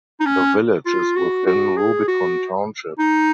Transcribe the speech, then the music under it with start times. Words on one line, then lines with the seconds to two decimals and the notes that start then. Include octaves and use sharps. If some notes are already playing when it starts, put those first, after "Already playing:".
The village is within Rubicon Township.
0.20 D#4
0.26 C#4
0.86 F4
1.16 F#4
1.47 F#4
1.77 G#4
2.08 F#4
2.99 D#4